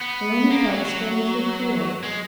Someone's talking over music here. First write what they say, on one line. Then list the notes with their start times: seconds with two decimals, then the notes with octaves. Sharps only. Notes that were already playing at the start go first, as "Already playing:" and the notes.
They only felt strangely cool!
0.01 B3
0.51 A#3
0.64 F3
0.68 F#3
0.85 F#3
2.03 G#3